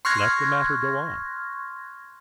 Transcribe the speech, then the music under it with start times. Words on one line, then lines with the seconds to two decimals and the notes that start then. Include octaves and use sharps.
Let the matter go on.
0.05 C6 C#6 F6 F#6 G#6 A#6